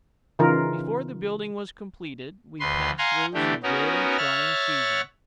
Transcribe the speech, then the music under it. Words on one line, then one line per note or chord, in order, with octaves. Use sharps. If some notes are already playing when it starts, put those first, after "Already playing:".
Before the building was completed we passed through some very trying seasons.
C#3 E3 D#4 F4 A#4
D2 B4 C6
F5 F#5 G#5 A#5 C6
D3 E3 A3 D4 G4
B3 C#4 D#4 F#4 A#4
C#5 E5 F#5 F6 A6